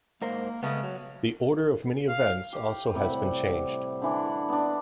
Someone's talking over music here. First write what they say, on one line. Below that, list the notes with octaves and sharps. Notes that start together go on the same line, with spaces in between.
The order of many events also has been changed.
G#2 A#3 A#4 C5
C#3 G#3 A3 B3
F#3
F5
G4
A2 C3 G3 F#5
D3 E3 D4
F#5
B3 D4